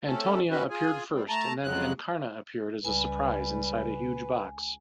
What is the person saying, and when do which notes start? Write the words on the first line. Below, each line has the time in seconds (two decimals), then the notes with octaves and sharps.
Antonia appeared first and then Encarna appeared as a surprise inside a huge box.
0.07 A3 C4 C#4 A4
0.50 C4 C#4 F#4 B4
0.70 F4 G#4 G#5
1.13 G3 C4
1.29 A3 A5 A#5
1.64 F2 C#3 F#3 G#3 F#6
2.85 C#2 G3 B4 G#5